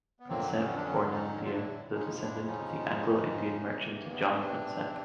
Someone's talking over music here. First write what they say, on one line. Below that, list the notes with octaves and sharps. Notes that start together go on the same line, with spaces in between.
Prinsep, born in India, was a descendant of the Anglo-Indian merchant John Prinsep.
B3
F2 D3 F#3 A#3 C4
B3 C#4
D4
B3 C#4
C#4 D#4
F4
D4 E4
F2 C#3 F3 G#3 C#4 D#4
D4 E4
C#4 D#4
E2 C3 E3
A#3
B3
C4
C#4
C4 D4